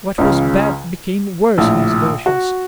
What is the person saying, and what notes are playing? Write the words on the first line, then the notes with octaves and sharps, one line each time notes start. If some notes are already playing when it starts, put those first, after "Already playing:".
What was bad became worse in his versions.
C#2 C#3
A#1 A2
F#4